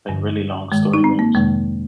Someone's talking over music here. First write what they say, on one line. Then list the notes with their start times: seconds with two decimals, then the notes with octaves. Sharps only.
Like, really long story games.
0.08 G2 D3 F3
0.72 G#2 D#3 G#3
0.94 D#4
1.04 C4
1.19 A#3
1.35 F2 C3 D#3 G#3